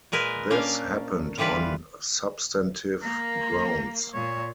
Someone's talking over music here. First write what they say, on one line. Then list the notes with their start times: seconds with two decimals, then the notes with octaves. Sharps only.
This happened on substantive grounds.
0.12 A#2 G#3 A#4 B4 G#5
0.50 A#3 C#4 D4 F5
1.38 D3 E3 G3 F4 B4
3.03 A#3 A#5
4.14 A#2 C#5